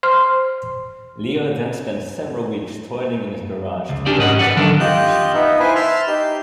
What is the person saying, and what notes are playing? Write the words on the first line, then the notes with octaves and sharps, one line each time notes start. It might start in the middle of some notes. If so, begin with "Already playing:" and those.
Leo then spends several weeks toiling in his garage to build his Happiness Machine.
C5 C6 F6
C#2
C#4 D4 G4 D5
G#2 C#4 D#5 F#5
B4 D5 E5 F#5
D3 D#3 F#3 D4 A4 A#4
F4 G4 D#5 F#6 G6
B3 D#4 E5
E4 B4 C5 G#5
E5 A5 C6 F6
D#4 G4 G6